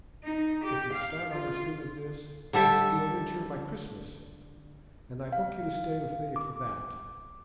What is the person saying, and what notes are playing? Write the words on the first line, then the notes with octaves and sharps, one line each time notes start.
If you start on receipt of this you will reach here by Christmas, and I book you to stay with me for that.
D#4
G4
F5
F4
D3 G3 A4 E5
F5
D6